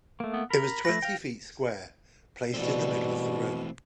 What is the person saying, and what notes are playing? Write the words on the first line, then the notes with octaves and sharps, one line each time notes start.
It was twenty feet square, placed in the middle of the room.
A3 A#3
B3
A#4 B5
A3 B4 A#6
F5 G5
B2 E3 G3 A3 A#3 C4 D5